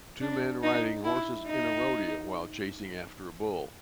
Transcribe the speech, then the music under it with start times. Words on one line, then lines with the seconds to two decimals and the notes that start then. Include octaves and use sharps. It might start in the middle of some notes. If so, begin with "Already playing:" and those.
Two men riding horses in a rodeo while chasing after a bull.
0.21 D4
0.63 D#4
1.04 E4
1.47 D#4